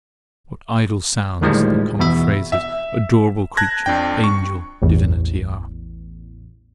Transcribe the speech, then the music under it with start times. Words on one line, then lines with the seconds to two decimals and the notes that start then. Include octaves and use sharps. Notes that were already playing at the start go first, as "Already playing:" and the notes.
What idle sounds the common phrases, adorable creature, angel, divinity, are?
1.41 D2 A2 D#3 F3 G3 G#3
1.99 E2 B2 E5
2.52 E5
3.57 A5 F#6 G#6 A#6
3.86 F2 D4 G5
4.24 C#6
4.82 A1 E2